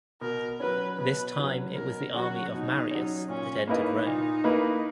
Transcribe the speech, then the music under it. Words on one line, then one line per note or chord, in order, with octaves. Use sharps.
This time it was the army of Marius that entered Rome.
B2 A#4
F#3 C#4 B4
B2 B4
F#3 C#4
B2 A#4
F#3 C#4 F#4
B2 D#4
F#3 C#4
A#2 C#4
A#3 D#4 E4 B4 D#5
A#2
A#3 E4 B4 D#5